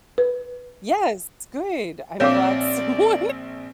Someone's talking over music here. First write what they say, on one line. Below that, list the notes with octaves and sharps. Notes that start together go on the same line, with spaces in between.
Yes, good, I'm glad someone
B4
A#1 C4 C#5 D5 F5 D6 E7